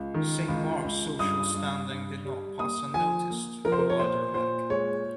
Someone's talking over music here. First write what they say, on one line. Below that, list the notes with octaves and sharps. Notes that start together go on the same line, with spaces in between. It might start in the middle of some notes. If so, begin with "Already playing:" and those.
Saint Mark's social standing did not pass unnoticed in wider America.
Already playing: C#2
D#3
C#2
C#2
G2 D#6
G2
G2
G3
A#3 D#6
F3 G#5
A#3
F3 A#4
C5
A#4
C#5
A#2 C5
A#2 C5
G#3 C#5